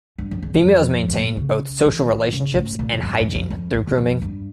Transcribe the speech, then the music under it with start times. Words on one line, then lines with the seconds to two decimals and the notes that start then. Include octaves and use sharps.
Females maintain both social relationships and hygiene through grooming.
0.18 G2
0.31 F2
0.42 E2
0.54 F2
1.08 A2
1.14 A#2
1.37 C#3
1.85 E3
2.09 E3
2.33 C#3
2.55 A2
2.79 A#2
2.93 F2
3.03 G2
3.20 F2
3.35 F2
3.50 F2
3.74 E2
3.87 E2
3.98 F2
4.22 G2